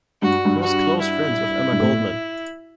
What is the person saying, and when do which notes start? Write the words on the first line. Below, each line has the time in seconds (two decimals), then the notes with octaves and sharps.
He was close friends with Emma Goldman.
0.22 G2 F#4
0.45 G2
0.61 F#4
1.01 E4
1.72 G2
1.80 A2